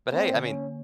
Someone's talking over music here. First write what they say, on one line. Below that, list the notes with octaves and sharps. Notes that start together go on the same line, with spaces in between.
but, hey, I mean,
A#3 C4
D3
C#4
A#3